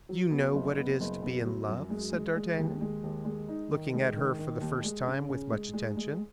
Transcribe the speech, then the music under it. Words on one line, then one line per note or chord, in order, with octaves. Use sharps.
"You know what it is to be in love?" said d'Artagnan, looking at her for the first time with much attention.
F#3
B3
F#1
B3
F#1
B3
F#3
F#2
G#3
G#3
G#3
D#2
G#3
D#2
G#3
D#4
D#3
G#3
D#3
D#3
D#2
G#3
C#3
C#3
G#3
G#3
G#3